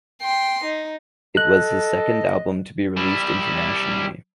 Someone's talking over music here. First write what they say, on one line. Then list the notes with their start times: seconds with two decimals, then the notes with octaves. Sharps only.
It was his second album to be released internationally.
0.22 G5 C6
0.64 D#4
1.37 A4 D#5 F#6
2.97 G3 E4